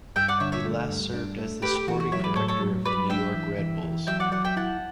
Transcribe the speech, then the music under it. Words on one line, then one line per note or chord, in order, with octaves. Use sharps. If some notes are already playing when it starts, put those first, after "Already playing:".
He last served as the sporting director of the New York Red Bulls.
G2 E5 G5
D5 F#5
D3 C#5 E5
C#5 E5
A3
G2
D4
A3
A3 G4 B4
G4
E3 F#4
F#4
F#3 C#5 E5
B4 D5
A2 A4 C#5
A4 C#5
F#3
F#3 B4 D5
D4 E5 G5
E3
E3
E3
F#3 E5 G5
D5 F#5
F#3 D5 F#5
E5 G5
E4 F#5 A5